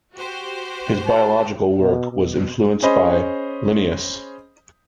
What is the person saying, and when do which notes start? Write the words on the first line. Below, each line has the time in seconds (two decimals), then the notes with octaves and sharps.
His biological work was influenced by Linnaeus.
0.14 F#4 G4 C5
1.05 A5
1.80 B2
2.12 B2
2.82 C#4 G#4 C5 D#5 B5